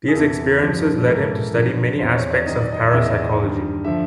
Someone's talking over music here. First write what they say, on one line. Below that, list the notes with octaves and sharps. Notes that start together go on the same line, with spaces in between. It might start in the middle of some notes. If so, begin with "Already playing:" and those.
These experiences led him to study many aspects of parapsychology.
G#4
E2 C3 E3 A4
G2 D3 F3
G#2 E3 A#4
A4
A#4
F#2 D3 F3
E2 C3 E3 C5
C#5
D5
F#2 D#3 D#5
D5
D#5
E2 C#3 E3 E5
D#5
D5
D#5
G2 D#3
D3 F3 E5